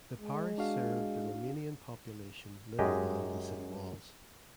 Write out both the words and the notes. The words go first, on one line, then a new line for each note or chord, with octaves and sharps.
The parish served the Romanian population living below the city walls.
G#3
D4 F#4 F5
F#2 G#3 G4 D#5